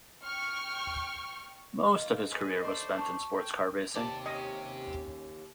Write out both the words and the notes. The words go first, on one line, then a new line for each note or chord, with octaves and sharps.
Most of his career was spent in sports car racing.
G5 C#6 F6
A#3 F4 D#5
G#4 B4
A3 C5 D5 D#5
A5 C#6
G5
D#2 C4 G4 D5 A5
C#4 D#5